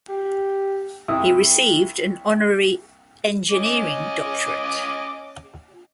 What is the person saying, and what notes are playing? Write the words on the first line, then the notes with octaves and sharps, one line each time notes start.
He received an honorary Eng.D.
G4
C2 C3 E4 D#6
C#4 D#5 D6